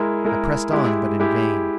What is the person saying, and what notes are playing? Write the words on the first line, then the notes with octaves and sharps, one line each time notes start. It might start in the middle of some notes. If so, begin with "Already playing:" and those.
I pressed on, but in vain.
Already playing: G#3 E4 A#4
G#3 E4 A#4
G#3 E4 G4
G#3 E4 G4